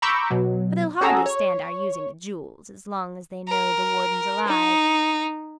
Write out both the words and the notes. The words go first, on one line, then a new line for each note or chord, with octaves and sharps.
But they'll hardly stand our using the Jewels, as long as they know the Warden's alive.
A#5 B5 C#6 D6 E6 G6
B2 F#3
C#4 F#4 G#4 A4 A#5 E6
C#5
A#4
D#4